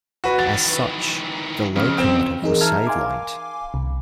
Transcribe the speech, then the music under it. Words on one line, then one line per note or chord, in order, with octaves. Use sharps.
As such, the locomotive was sidelined.
F#4 B4
D#3 E3 A6
F2 C#3
C4
E3 D#4 G#4 A#4
E5 A5 A#5 F6 G#6
F5 G#5 C6 D6
C2